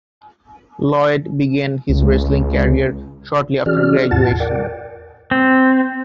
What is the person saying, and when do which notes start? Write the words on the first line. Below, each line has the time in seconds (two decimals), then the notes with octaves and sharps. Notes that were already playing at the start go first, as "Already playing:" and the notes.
Lloyd began his wrestling career shortly after graduation.
1.89 C#2
3.66 E3 C#4 F#4 G#4 D5 F6
4.11 E2 A2 F4 F#5 A5 A6
4.40 A#4 D5 F#5 G5
5.31 C4